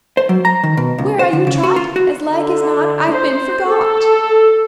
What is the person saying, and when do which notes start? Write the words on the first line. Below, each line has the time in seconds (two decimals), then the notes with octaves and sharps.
"Where are you, Trot? As like as not I've been forgot!"
0.17 C5
0.29 F#3
0.45 A#5
0.63 D#3
0.77 B2
0.98 C#2
1.19 C5
1.33 D3
1.47 C#3
1.63 F#4
1.76 F4
1.96 F#4
2.31 D3
3.12 C5
3.68 A4